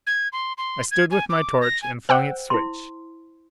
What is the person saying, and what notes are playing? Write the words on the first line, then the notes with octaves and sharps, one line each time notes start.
I stood with my torch and flung its switch.
G#6
C6
C6
G#6
G#5
D6
A#6
G#5
C5 F#5 G5 E6
E4 C6